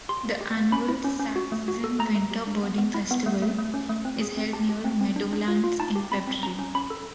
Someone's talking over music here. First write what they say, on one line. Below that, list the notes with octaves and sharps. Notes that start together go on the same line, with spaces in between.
The annual Sax-Zim Winter Birding Festival is held near Meadowlands in February.
G4 C6
A#3
G4
A#3
C#4 B5
E4
C#4
C#4
F#4
A3
F#4
A4
A3 A#5
A3
G4
D4
B3
B3
E4
B3
A3
A3
A3
C#4
A3
C4
G#4
C4
G4 A5
G4
C4
C4
D4
D4
F4
F4
D#4 A5
G4
C4 B5
C4
C#4 A#5
C#4
C#4 B5
A4